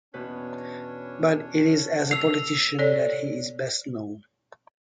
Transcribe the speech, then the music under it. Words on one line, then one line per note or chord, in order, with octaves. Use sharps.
But it is as a politician that he is best known.
E2 B2 C#4 D4 B4 C#5
E6 C7 F7
A4 C#5 D5